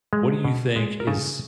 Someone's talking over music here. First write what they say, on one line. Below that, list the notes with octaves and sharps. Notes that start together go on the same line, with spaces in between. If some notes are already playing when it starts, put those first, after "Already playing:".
what do you think is
G#3
B2
G#3
A#4
C#3 A4